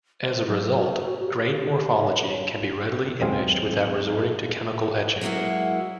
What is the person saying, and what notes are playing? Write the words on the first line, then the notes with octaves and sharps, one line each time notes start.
As a result, grain morphology can be readily imaged without resorting to chemical etching.
C5
F#3
F#4
G4
C#5
D#2 F#3 G#3 C4 G#4 F5
F#3 G#3 A#3 E4 F#4